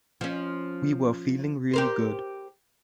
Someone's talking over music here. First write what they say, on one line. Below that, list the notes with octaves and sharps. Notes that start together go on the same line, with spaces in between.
We were feeling really good.
F3 C#4
G4 A#4 C5